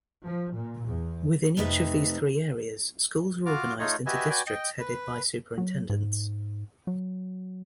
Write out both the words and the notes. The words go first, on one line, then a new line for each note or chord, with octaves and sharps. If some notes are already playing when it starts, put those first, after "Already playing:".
Within each of these three areas, schools are organized into districts headed by superintendents.
F3
A#2
E2
F2 C3 A3 D#4 B4 E5
F4 F#4 D6 F6
A3 D#4 F4 C#5 D#5
F#4 G4 B4 D#5 E5 G#5
F#4 B4 D5 G5 G#5
D#5 G5
B4
F#3
G#2
F#3